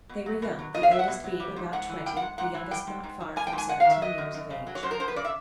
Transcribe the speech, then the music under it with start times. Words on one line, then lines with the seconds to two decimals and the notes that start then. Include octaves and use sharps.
They were young; the eldest being about twenty, the youngest not far from seventeen years of age.
0.09 B2
0.26 F#3
0.42 B2
0.59 F#3
0.74 B2 D#5
0.83 F5
0.91 F#3 E5
0.99 F#5
1.08 B2
1.24 F#3
1.40 G3
1.56 G#2
1.73 G#2 F#5
1.89 E3
2.06 G3 G5
2.17 F#5
2.22 G#2
2.38 G#2 F#5
2.54 E3
2.71 G3 G5
2.87 G#2
3.03 G#2
3.20 D#3
3.36 G3 G#5
3.47 G5
3.53 G#2
3.58 G#5
3.69 G#2 F#5
3.80 F5
3.85 D#3
3.91 E5
4.01 F#3 D#5
4.18 F#2
4.34 F#2
4.50 C#3
4.67 F#3
4.75 C#5
4.83 F#2 C5
4.91 A#4
5.00 F#2 C5
5.08 B4
5.16 C#3 D5
5.25 E5